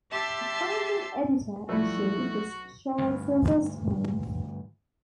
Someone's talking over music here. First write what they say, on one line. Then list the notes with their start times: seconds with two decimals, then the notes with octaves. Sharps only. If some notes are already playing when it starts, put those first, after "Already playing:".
The founding editor-in-chief was Charles Silverstein.
0.11 G4 E5 A5 C6 E6
1.69 B1 F3 G3 A3 E4 F#4
2.99 D2 G2